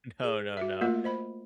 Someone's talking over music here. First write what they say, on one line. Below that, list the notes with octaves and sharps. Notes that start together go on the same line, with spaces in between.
no, no, no.
G#4
F#4 E5
A3 A#3 F4 A#4 D#5
C5 D#5 B5